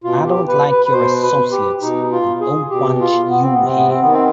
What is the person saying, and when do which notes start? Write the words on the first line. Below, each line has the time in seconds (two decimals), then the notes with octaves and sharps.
I don't like your associates and don't want you here.
0.04 B2 F4
0.26 G4
0.48 B4
0.71 B4
0.86 B4
0.92 B2 C5
1.23 B4
1.52 G4
1.82 B2 D#4
2.12 F4
2.40 G#4
2.70 B2 G4
3.00 F4
3.29 B3
3.42 C4
3.53 B3
3.59 C3
3.65 C4
3.77 B3
3.88 C4
4.01 D#3 B3
4.12 C4